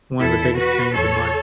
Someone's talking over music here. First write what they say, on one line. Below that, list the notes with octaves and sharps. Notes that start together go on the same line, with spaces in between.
one of the biggest things in life.
E2 E3 E4 A4
F#4 B4
E2 E3 A4 C#5